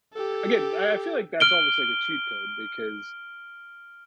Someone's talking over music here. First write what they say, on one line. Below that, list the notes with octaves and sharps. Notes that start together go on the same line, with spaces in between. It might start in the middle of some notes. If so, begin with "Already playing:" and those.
Again, I I feel like that's almost like a cheat code because
G4 A4
F6 D7 G7